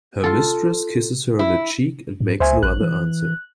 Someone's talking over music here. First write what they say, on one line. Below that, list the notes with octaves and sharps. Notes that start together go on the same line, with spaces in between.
Her mistress kisses her on the cheek and makes no other answer.
F4 A4
E4
G#2
C#2 C5 E5 G#5
A1 F#6
E3